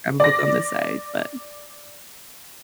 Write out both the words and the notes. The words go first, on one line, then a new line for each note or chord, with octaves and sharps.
have a book on the side." But
D5 A#6